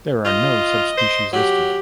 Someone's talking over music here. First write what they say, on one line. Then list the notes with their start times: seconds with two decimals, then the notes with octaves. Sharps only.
There are no subspecies listed.
0.25 F4 D#5
0.98 C5
1.33 F#3 G4